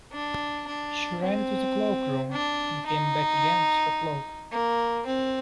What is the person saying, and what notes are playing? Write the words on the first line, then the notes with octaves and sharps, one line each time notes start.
She ran to the cloak-room, and came back again with her cloak.
D4
D4
C4
D4
D#4
A#3
C4